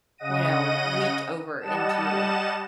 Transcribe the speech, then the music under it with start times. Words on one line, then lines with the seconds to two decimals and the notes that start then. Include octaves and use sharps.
you know, leaked over into,
0.18 C#3 D#5 F#5 A#6 D#7
1.60 G3 D#5 F#5 A5 E7